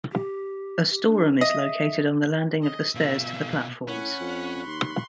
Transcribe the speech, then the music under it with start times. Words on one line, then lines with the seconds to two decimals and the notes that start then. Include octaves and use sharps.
A storeroom is located on the landing of the stairs to the platforms.
0.12 G4
0.90 G4
1.07 D4
1.41 D#5 E5
2.62 D#5
2.95 B2 F4 E5
3.88 A2 C#4 F#5 B5 C#6 F#6
4.20 F2
4.66 D#2 C6